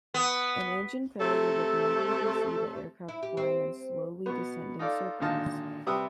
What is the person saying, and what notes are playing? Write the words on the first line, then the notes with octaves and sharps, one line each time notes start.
An engine failure would inevitably see the aircraft flying in slowly descending circles.
B3
C3 A3 A4
E4
G4
C4
B2 B3
D#4 F4 A4 D5
G#1 A#2 D3 D#4 F5 A5
C3 G3 B4 E5 D#6